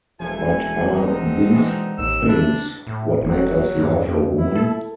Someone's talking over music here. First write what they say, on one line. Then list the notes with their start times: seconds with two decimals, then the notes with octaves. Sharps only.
But are these things what make us love a woman?
0.20 E1 F3 A3 E4 G#5
0.95 D3 C4 D#4
1.51 B2 E3 G#3
1.98 A1 D#2 E6
2.29 D4 E4
2.87 A2
3.21 F#1 F#3
3.76 G2
4.05 F2
4.37 E4
4.55 A4